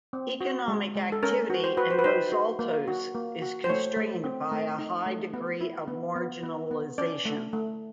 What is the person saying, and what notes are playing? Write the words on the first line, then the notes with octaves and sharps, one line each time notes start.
Economic activity in Los Altos is constrained by a high degree of marginalization.
C4
F#4
G#3
G#3
A4
C#4 A#4
F#4
C5
F#4 B4
C5
B4
D#4 C5
F#4
A#3
F#4
A#3
F#4
C5
A3 C#5
A3
C4
A3
D#4
A3
B3
E4
B3
B3
B3
B3
C#4 D5
A3
A3